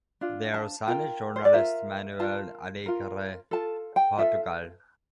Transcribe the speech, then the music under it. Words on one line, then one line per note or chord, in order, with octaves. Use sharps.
Their son is journalist Manuel Alegre Portugal.
D4 F4
A5
F4 A#4 G5
C5
D5
F4 A#4 E5
F4 A#4 A5
F4 A#4
F4 A4 A5
G5
F4 A4 E5